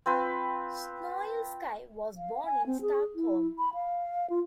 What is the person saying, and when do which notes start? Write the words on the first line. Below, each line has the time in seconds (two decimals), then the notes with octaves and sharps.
Snoilsky was born in Stockholm.
0.06 C4 F4 B4 G5
2.17 F5
2.45 G#5
2.66 C4
2.82 G#4
3.15 E4
3.58 B5
3.74 F5
4.30 F4